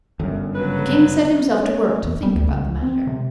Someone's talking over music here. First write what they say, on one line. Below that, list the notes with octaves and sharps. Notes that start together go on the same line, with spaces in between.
The King set himself to work to think about the matter.
G1 F#2
C#3 F#3 B4
C#4
E1
G3
D2
C#2
C4
C3